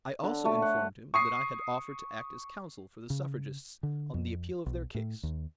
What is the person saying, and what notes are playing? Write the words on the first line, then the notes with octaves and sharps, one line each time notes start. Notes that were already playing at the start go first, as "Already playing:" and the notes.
I also informed him that I had offered to act as counsel for the suffragists on the appeal of their case.
D3
A3
F#5
C#6 D#6 C7
C#3
D3
F2
B1
A2
D#2